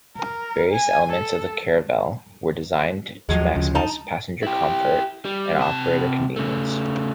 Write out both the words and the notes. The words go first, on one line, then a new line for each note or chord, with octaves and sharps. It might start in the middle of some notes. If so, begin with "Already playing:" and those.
Various elements of the Caravelle were designed to maximise passenger comfort and operator convenience.
A#4
G#5
A4
D#2 A2 F3 F#3 G#3
D2 C#3 F3
D#4 A5
E4 G4
G3
C3 A5
C#3 A3